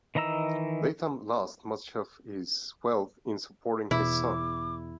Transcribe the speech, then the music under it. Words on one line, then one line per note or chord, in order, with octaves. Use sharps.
Latham lost much of his wealth in supporting his son.
D#3 E3 D#5 A#5 E6
E2 B2 E4 D6